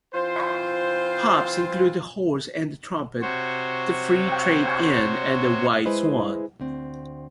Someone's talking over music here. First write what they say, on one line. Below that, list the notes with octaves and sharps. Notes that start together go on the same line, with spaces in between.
Pubs include The Horse and Trumpet, The Free Trade Inn, and The White Swan.
E3 C4 F4 C5
C3 F#4 C5 C#5
G#3 E4 G#4 B4 C5 D#5
D2 C4